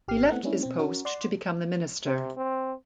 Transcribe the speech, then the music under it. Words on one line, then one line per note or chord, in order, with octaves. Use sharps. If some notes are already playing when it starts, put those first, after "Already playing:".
He left this post to become the minister.
G#1 G4 F6 C7
A3 B3 C4 E4 F#5
G3 G#3 A#3 C#4 D4 E4
B2 C4
C#4 F#4 A#4
D5 F#5 C6
C3
C4